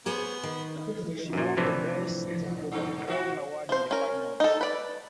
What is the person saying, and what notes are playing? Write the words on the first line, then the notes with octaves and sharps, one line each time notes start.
She won the "best on ground" award in the final.
B3 G#4 C5 C#5
D#3
F#2 A#2 F3 F#4
A2 C3 E3 F3 D4
G2
F3 F#4
F3 C5
C#4 A#4
D#4 A4
B4 D5